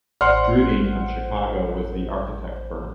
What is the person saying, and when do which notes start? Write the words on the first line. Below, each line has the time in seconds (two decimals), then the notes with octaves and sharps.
Druiding of Chicago was the Architect Firm.
0.21 A1 C5 D5 F#5 C6 F6